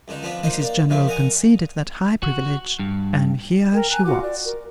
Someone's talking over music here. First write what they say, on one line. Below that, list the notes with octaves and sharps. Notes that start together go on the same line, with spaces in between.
Mrs General conceded that high privilege, and here she was.
C#2 D3 D4 D#4
F3 B3 C4 D4 F4 B4
A#3 D4 D#4 F4 C5 D#5
A#3 D5
C3 F3 A3 A#3
A#4 D5 D#5 F#5 G#5 A#5
F#4
G2
A#4 G5
G#5 A#5 F#6
F4 F#4 D6
D5
A#4